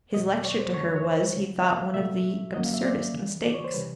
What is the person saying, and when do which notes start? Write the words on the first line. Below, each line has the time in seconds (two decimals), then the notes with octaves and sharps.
His lecture to her was, he thought, one of the absurdest mistakes.
0.14 E2 B2 F#3 D#5
0.29 D5
0.45 C#5
0.59 C5
0.74 F2 D3 F3 A3 C#5
0.96 C#5
1.04 C5
1.34 D#2 C#3 F#3
1.60 E5
1.64 F5
1.94 C2 A#2 F#3 A3 E5
2.54 F#2 D3 F#3 A#3 C#4 D#5
2.65 F5
2.74 E5
2.84 D5
3.14 D#2 C#3 E3
3.44 D5
3.54 C#5
3.64 C5
3.74 C3 E3 G3 B4